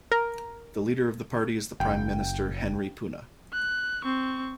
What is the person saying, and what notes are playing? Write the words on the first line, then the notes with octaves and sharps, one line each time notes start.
The leader of the party is the Prime Minister Henry Puna.
A#4
F#1 G5
F#6
C4 C#6